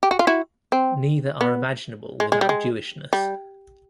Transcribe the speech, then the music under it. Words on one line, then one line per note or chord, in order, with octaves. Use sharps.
Neither are imaginable without Jewishness.
G4
F#4
F4
E4 F#4
C4
B3
G#3
G#3
G3
G#3
G3